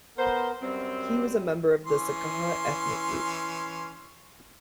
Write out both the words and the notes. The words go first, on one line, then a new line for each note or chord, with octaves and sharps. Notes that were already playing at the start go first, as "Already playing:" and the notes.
He was a member of the Nzakara ethnic group.
B3 A#4 C5
F#2 G3 C4
E3 C#4 C6